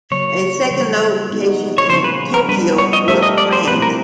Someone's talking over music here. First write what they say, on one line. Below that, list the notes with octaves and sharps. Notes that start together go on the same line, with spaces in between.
A second location in Tokyo was planned.
C#3 F#3 A#3 C#5
C#3 E3 G3
G#3 B3 D#4 F#4
C#5
C#3 F3 A#3 C#4 C5
B4
A#4
G3 B3 D4 B4
C#5
D#5
A3 D4 G4 A#4 E5
D#5
D5
C5
F3 A3 C4 E4 B4
A#4